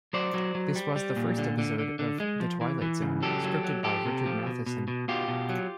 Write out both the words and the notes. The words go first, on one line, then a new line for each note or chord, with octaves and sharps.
This was the first episode of "The Twilight Zone" scripted by Richard Matheson.
F#3 C5 D5
F#3
F#3
G3
G3
A#2
D3
D3
D3
D3
G#3
F3
E3
E3
C#3
F#3 G4 A4
F#3
F#3
F3 G4 A4
C3
F3
B2
B2
B2
B2 F4 G4
B2
F#3